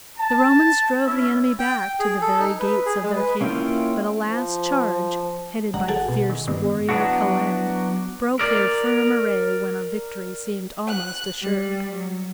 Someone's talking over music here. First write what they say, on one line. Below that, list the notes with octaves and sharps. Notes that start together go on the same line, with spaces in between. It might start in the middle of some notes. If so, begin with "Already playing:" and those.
The Romans drove the enemy back to the very gates of their camp, but a last charge, headed by the fierce warrior Khaled, broke their firm array when a victory seemed almost assured.
A5
C#4 E4 E5
G5
G5
G#4
A4
D#4
B4
G#4
G#3
B4
A#3 C#4 E4 F4 G5
F3
G#1 D3 G3 F#5 A#5
F#4 G#4 A4 F#5 G#5
B2
D#3
G2 D3 D#3 B3
F#3 B3 D4 E4 F#4
A#4 D5
F#6
G3
F#3